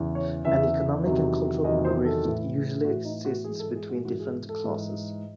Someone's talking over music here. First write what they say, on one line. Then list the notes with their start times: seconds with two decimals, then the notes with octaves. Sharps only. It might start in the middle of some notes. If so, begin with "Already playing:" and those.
An economic and cultural rift usually exists between different classes.
Already playing: E2 C#3 E3
0.15 C#5
0.45 E2 C#3 E3 E5
1.04 E2 C3 D#3 F#3
1.64 E2 C3 D#3 F#3 D#5
1.84 C5
2.05 A4
2.25 A2 E3
2.84 A2 E3 F#4
3.05 D#4
3.25 F#4
3.44 G#2 E3 G#4
3.59 A4
3.75 G#4
3.89 F#4
4.05 G#2 E3 F#4
4.20 G#4
4.49 A4
4.64 G#2 E3